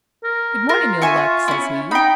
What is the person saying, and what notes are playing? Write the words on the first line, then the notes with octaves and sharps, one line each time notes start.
"Good-morning, Ill-Luck," says he.
A#4
F4 A#4
E5 G#5 C#6
C#4 E4
D#4 G5 B5